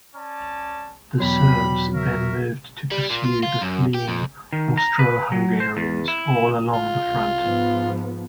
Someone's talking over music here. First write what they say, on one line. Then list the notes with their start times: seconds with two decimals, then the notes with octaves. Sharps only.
The Serbs then moved to pursue the fleeing Austro-Hungarians all along the front.
0.15 C#4 D5 A5
1.20 E2 B2 F#3 G3 B5
1.93 A#4 C#5 E5
2.91 G3
3.10 A#2
3.24 F4
3.43 F4
3.61 F#2
3.94 G4
4.08 F2
4.53 D#3
4.77 A#5
4.99 B4
5.32 F#3
5.60 C5
5.77 E2
6.08 E4
6.73 F4
7.07 C2
7.41 G#2 F3 B3